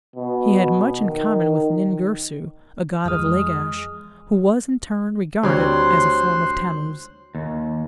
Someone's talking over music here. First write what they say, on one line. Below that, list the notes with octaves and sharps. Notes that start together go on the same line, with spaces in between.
He had much in common with Nin-Girsu, a god of Lagash, who was in turn regarded as a form of Tammuz.
B2
D#3
F2 E3 F3 G#3 D#6 F6
D2 G3 C4 C5 C#5 C6 F#6
D#2